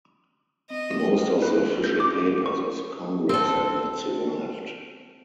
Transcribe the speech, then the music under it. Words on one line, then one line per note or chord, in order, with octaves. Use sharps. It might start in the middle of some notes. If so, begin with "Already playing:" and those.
Most of the official papers of the Congress have not survived.
C4 D#5
B4
G6
D6
C#6
C4 A4